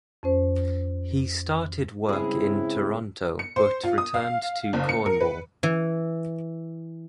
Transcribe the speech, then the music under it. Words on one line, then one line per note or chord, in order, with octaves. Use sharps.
He started work in Toronto but returned to Cornwall.
F2 C#4 C5
C#3 G#3 C4 E4 G#4
C#7
C5
F4
D#6
F5
F#1
C#7
A#4
B4
E3